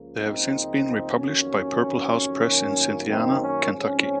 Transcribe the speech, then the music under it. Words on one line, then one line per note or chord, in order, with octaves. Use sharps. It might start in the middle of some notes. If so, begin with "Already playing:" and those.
They have since been republished by Purple House Press in Cynthiana, Kentucky.
Already playing: C#2 C#3 F3 A#3
C4 D#4
F2 D#3 F#3 A#3 C#4
F#2 D#3 A#3
C4 D#4
C#4
G#2 F3 C4 C#4